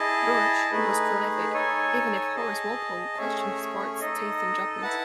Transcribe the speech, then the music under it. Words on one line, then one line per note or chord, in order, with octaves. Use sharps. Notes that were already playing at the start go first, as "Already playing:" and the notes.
Birch was prolific, even if Horace Walpole questioned his parts, taste and judgment.
Already playing: E4 G#4 D#5 A5
A3 D#4 G#4 B4
D#4 A4 C#5 G#5
G#4 D#5 A5
A3 C#4 G#4 C#5 E5
D#4 A4 D#5
E4 B4 F#5 A5